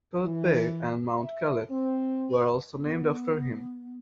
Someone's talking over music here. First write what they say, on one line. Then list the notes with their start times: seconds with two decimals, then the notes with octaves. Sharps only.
Kellett Bay and Mount Kellett were also named after him.
0.23 E3
1.20 E5
1.71 C4
2.79 B3